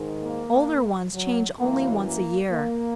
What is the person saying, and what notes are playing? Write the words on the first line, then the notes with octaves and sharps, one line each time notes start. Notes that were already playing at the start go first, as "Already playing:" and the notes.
Older ones change only once a year.
Already playing: G#2 D#3
A#3
F#3
F#2 E3 A#3
A#3
A#3